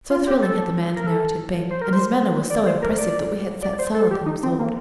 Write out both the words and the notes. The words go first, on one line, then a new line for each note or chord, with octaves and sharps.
So thrilling had the man's narrative been, and his manner was so impressive that we had sat silent and absorbed.
F4
G4
A4
A#4
A4
C5
A#4
C5
D5
C5
A#4
D5
D5
C5
A4
G4
D#4
C4
A#3